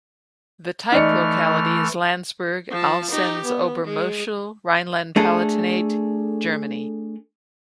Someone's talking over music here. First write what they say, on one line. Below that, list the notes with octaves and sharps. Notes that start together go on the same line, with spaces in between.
The type locality is Landsberg, Alsenz-Obermoschel, Rhineland-Palatinate, Germany.
E3 A3 D#4 D5 F6 C#7
F3 A5
D#4 G4
B3
G#3
A3 D4 G#4 A4